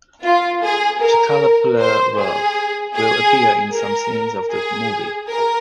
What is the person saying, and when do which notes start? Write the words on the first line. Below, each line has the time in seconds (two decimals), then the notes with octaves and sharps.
Shkaplerov will appear in some scenes of the movie.
0.23 F4
0.63 G#4
1.01 A#4
1.78 C5
2.18 G#4
2.95 G#4
3.73 A#4
4.51 G#4
5.29 A#4